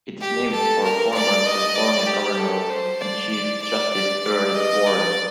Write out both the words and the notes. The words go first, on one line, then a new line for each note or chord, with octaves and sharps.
It is named for former California Governor and Chief Justice Earl Warren.
G4
A4
A#4
D5
D#5
D5
G4
A4
C5
D5
D5
D5
D5
D5
D#5
D5